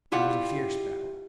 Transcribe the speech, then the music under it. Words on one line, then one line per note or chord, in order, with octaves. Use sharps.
It was a fierce battle.
G3 E4 F4 G4 F#5